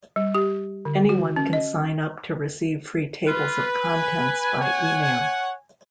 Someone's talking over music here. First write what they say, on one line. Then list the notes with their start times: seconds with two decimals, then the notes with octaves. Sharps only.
Anyone can sign up to receive free tables of contents by email.
0.16 G3
0.35 G4
0.85 D3
1.09 F#4
1.36 C#4
1.53 D#5
3.27 F4 B4
3.84 G#5
4.61 C#5 F#5